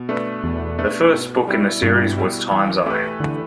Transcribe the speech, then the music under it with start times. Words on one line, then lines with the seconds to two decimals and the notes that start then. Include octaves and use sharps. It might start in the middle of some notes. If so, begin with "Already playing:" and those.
The first book in the series was "Time's Eye".
Already playing: B2
0.09 A3 D4 B4
0.44 E2 B2
0.78 A3 D4 B4
1.13 B2
1.47 G3 E4
1.82 G2 B2
2.16 G3 E4
2.51 E3
2.86 A3 G4 B4
3.20 D3 E3